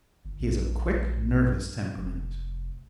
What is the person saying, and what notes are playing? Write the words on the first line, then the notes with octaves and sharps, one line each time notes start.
He is of quick, nervous temperament.
G1
A#1
F1